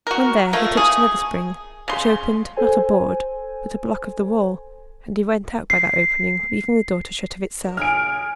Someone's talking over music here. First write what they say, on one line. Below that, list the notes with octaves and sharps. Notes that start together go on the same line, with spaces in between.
When there, he touched another spring, which opened, not a board, but a block of the wall, and he went out by that opening, leaving the door to shut of itself.
F#4 A#4
A3 A#3 F4
G#4
C#3 C6
A4 C5 G#5
C7
D4 A#4
D#4 G#4 G#5 F6 D7